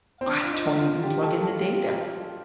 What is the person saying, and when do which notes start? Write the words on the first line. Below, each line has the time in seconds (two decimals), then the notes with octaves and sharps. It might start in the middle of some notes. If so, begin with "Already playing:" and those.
I don't even plug in the data.
0.21 C4
0.27 D4
0.44 F4
0.52 D#4
0.78 F4
1.03 G4
1.22 A4
1.41 A4
1.60 G4